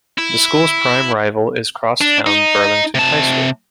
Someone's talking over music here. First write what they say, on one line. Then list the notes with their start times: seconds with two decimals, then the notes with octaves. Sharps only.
The school's prime rival is cross-town Burlington High School.
0.18 E4
2.01 D4
2.27 D#4
2.95 C3 A5